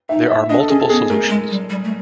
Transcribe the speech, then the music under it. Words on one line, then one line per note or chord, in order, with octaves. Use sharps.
There are multiple solutions.
D#4 E5
E5
D4 D#5
A4
C#4 G#4
A4
B3 G#4
A3 A#4
G#3
G3
G3
A3